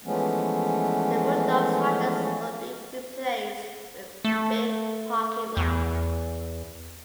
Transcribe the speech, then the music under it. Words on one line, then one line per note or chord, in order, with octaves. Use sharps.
The Rudolph structures would be replaced with a big parking lot.
E3 F3 G#3 A3 B3 C#4
A3
E2